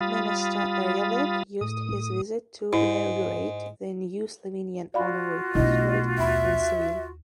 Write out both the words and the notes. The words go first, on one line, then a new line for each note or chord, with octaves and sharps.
Minister Erjavec used his visit to inaugurate the new Slovenian honorary consulate in Seville.
G3 F4 F5 B5 D#6 A6
A2 D#6
G#2 E4
F4 F#4 D5 F5 B5
B1 A3 D4 E4 D#5
D#2 E5 B5